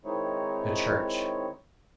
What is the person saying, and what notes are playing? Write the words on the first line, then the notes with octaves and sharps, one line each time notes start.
The church...
D#3 G#3 C4 D#4 E4 C#5